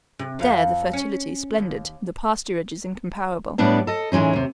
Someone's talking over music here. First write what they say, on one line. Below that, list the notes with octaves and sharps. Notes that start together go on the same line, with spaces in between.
There the fertility is splendid; the pasturage is incomparable.
C3
F2 F5
C#4
D#2
A2 G3 B3 D4 D5
A4 D#5
A2 E3 G#3 C#4 D#4
D#2 C3